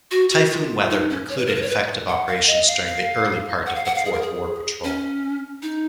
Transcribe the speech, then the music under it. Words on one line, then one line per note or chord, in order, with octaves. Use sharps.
Typhoon weather precluded effective operations during the early part of the fourth war patrol.
F#4
F#4
F4
D#4
C#4
C#5
B4
A#4
B4
C#5
B4
F#5
F5
D#5
F5
F5
F#5
F5
F#5
F5
G#4
A#4
G#4
C#4
D#4